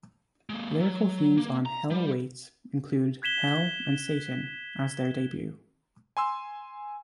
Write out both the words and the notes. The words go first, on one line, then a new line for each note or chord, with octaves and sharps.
Lyrical themes on "Hell Awaits" include hell and Satan, as their debut.
G#3 A#3
F#3
A#3
A#5
G3
F#6 G#6 B6 E7 G7
G#5 C6 E6